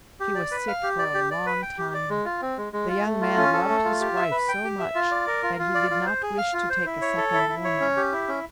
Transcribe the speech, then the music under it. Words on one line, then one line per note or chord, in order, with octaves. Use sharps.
She was sick for a long time. The young man loved his wife so much that he did not wish to take a second woman.
G4
D5
B4
F5
G4
D5
G4
D5
B4
G5
G4
D5
G#3
F4
C4
G#3
G#3
F4
A3
F4
C#4
A4
A3
F4
G4
E5
B4
G5
G4
E5
F4
D5
A#4
F4
F4
D5
F4
C5
G#4
F5
F4
C5
E4
C#5
A4
E4
E4
C#5
C#4
G4
E4
C#4